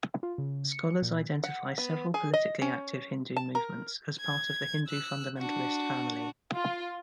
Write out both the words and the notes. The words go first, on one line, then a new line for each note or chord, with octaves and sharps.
Scholars identify several politically active Hindu movements as part of the Hindu fundamentalist family.
F4
C#3
C#7
A#2
F#5
B3
G#4
D#5
C#4
A5
A#4
G#6
E6 F#6
D4 F#4
F4